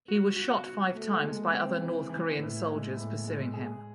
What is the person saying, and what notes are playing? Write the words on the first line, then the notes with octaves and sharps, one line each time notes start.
He was shot five times by other North Korean soldiers pursuing him.
F#4
F#4
F#4
A3
G#3
C4
E3
E3
A2
G#3
A2
G#3
G#4